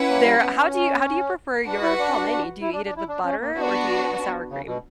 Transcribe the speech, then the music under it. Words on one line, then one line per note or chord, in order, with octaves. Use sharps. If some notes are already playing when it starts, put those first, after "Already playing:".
There How do you how do you prefer your pelmeni? Do you eat it with butter, or do you eat it with sour cream?
Already playing: C#4 E4 B4 F#5
A#3
G3
B3
C#4
D4 F#4 B4 F#5
E4
D4
E4
D4
D4
E4
D4
C#4
A#3
B3 D4 F#4
C#3
B2